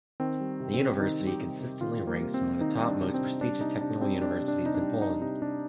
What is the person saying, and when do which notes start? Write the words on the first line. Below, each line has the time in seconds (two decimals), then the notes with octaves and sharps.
The University consistently ranks among the top most prestigious technical universities in Poland.
0.20 D#3 C4
0.40 G3
0.60 C3
0.73 C4
0.80 C3
1.00 D#3 D#4
1.20 G3
1.27 G4
1.41 C3
1.61 C3
1.81 D#3 F4
2.01 G3
2.07 A#3
2.21 C3
2.34 C4
2.41 C3
2.61 D#3 D#4
2.77 G3 D#4
2.88 D4
3.01 C3
3.14 C4
3.21 C3
3.41 G3 D4
3.61 C3 D#4
3.81 C3 D4
4.01 G3 C4
4.21 G3 D4
4.42 C3
4.48 D4
4.62 C3 D#4
4.75 D4
4.82 G3
5.02 G3 D#4
5.22 C3 D#4
5.42 C3 D4